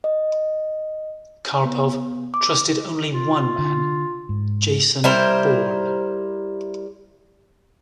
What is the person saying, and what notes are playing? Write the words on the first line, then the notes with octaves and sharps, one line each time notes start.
Karpov trusted only one man: Jason Bourne.
D#5
B3
D6
F4
D3
G#2
G3 E4 A#4 C5